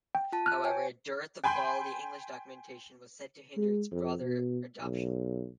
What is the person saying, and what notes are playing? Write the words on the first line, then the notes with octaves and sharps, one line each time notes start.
However, a dearth of quality English documentation was said to hinder its broader adoption.
G5
F4 A5
F6 F#6
C#5 G5 G#5
G5 G#5 B5 C6 G6
G#3
F2
B2
B1